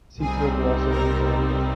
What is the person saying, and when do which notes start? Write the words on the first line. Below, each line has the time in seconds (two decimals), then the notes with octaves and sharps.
See Kerberos as an example.
0.21 C2 C3 G3 C4 D#4 G#4
0.91 A#4